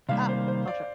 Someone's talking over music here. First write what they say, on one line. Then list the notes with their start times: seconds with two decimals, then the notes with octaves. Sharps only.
Ah! So true.
0.09 C3 D#3 G3 A#3 F5
0.29 C5
0.48 C5
0.68 D5